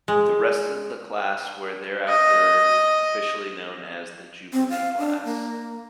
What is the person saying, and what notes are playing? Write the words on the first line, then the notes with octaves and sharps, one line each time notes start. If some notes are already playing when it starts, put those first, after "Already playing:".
The rest of its class where thereafter officially known as the Jubilee Class.
G#3
D#5
C4
F5
D4
A#3